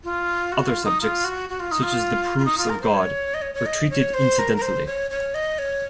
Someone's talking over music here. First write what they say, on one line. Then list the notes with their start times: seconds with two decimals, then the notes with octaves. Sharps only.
Other subjects, such as the proofs of God, are treated incidentally.
0.04 F4
0.52 F#4
0.68 F4
0.85 D#4
1.01 F4
1.24 F#4
1.49 F#4
1.60 F4
1.72 D#4
1.83 F4
2.39 F4
2.45 D#4
2.58 F4
2.70 A#4
2.81 C5
2.94 C#5
3.34 D#5
3.42 C#5
3.54 C#5
3.66 D#5
3.90 C#5
4.14 C5
4.39 A#4
4.57 A#4
4.62 C5
4.86 C#5
5.11 C#5
5.34 D#5
5.59 C#5